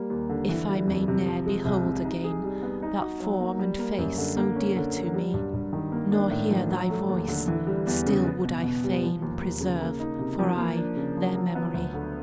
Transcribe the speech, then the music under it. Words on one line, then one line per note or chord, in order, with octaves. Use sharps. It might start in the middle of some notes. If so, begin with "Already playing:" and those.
If I may ne'er behold again That form and face so dear to me, Nor hear thy voice, still would I fain Preserve, for aye, their memory.
Already playing: G3 A#3
D#2
D3
E3
G3
F2
C3
F3
G#3
C2
C3
D#4
G#4
G3
B3
D#4
F#4
F#3
A#3
G3
A#3
F#2
D3
A#3
C#4
D3
F#3
G3
G2
G2
D#3
A#3
D4
A2
F3
F#3
A3
D#2
D3
E3
G3
E2
C#3
B3
B2
B2
G3
F3
D#2
D#2
C#3
A#3
D#4
C3
F3
A#3
D4
C#3
F3
F#3
B3
D2
D3